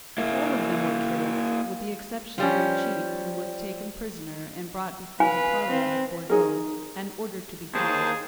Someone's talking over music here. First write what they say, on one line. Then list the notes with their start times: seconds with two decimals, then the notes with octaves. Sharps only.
The whole of them were killed, with the exception of their chief, who was taken prisoner and brought before the Parliament of Bordeaux, and ordered to be hung.
0.18 A#3 E4
2.38 F3 G3 C#4
5.20 B4 F5 G#5
5.68 C4
6.30 D#4 G#4 A#4
7.75 D#2 G#4 C5 A5